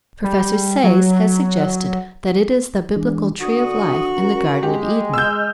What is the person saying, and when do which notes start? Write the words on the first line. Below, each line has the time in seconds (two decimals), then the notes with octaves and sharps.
Professor Sayce has suggested that it is the Biblical "Tree of Life" in the Garden of Eden.
0.24 G3
0.84 F#3
2.96 E3 G#3 D4
3.41 D3 F#4 D#6
4.17 C#4 A#4
4.63 G#3 G4
5.14 D#5 E6 F6 G6